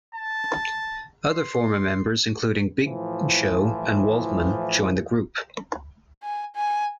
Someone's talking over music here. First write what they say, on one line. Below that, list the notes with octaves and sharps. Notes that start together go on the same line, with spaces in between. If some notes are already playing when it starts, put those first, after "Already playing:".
Other former members, including Big Show and Waltman, joined the group.
A5
C6
A2 E3 F3
G#5
G#5